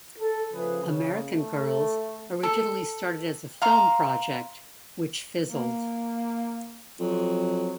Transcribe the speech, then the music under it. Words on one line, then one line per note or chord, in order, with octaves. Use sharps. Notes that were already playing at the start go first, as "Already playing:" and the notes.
American Girls originally started as a film project, which fizzled.
A4
C#3 F3 A3 G#4 B4
C#3
A3
A4
F5 A#5 C6
A#3
F2 F#3